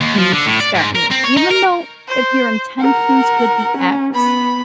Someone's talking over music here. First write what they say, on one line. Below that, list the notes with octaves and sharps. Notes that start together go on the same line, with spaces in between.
and you should start new. Even though, if your intentions with the ex
D#2
F3
D3
A2
D5
G#2
A#4
C4
C#5
D#4
A#4
C5
A#4 F#5
C#4
B3 B5